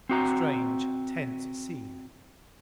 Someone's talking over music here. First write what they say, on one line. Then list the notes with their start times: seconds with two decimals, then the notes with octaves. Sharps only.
Strange, tense scene.
0.09 C4 F#4 A#5